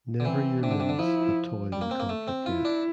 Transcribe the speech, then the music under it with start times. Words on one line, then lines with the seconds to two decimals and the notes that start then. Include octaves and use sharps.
Never your limbs have toiled in conflict yet.
0.20 D3
0.25 E3 C4
0.62 C3 D4
0.71 D3
0.80 C3
0.89 D3
0.98 F3 E4
1.72 G3
1.81 A#3
1.91 C4
2.00 A#3
2.09 A3
2.28 C4
2.46 E4 F4
2.65 D4